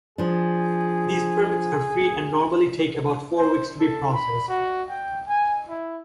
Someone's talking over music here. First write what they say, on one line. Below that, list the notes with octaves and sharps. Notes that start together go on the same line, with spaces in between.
These permits are free and normally take about four weeks to be processed.
F3 D4 G#4
C5
A4
B5
F#4
G5
G#5
E4